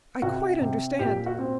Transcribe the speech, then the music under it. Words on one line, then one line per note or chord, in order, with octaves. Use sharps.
I quite understand.
C3 F#4
C3
A#2 G4
F#4
C4